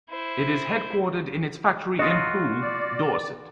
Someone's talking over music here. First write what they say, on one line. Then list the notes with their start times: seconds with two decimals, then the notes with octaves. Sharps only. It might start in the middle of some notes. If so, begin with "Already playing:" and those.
It is headquartered in its factory in Poole, Dorset.
0.10 E4 C5
1.99 F#3 F4 F#4 D#5
2.61 D5